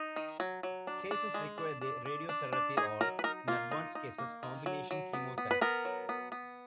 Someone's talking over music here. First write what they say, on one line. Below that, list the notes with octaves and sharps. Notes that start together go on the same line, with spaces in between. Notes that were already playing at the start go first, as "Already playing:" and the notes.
Cases require radiotherapy or, in advanced cases, combination chemotherapy.
Already playing: D#4
D#3
F#3
F#3
D4
D4
G#3
D4
D4
D4
D4
D4
D#4 G#4
F#3 A#4
B4
D#4 A#4
A#3 F4
D#4
D#4
A#3
D#3
F#3
F#3
B3
B3
B4
B3 A#4
F#3
B3
B3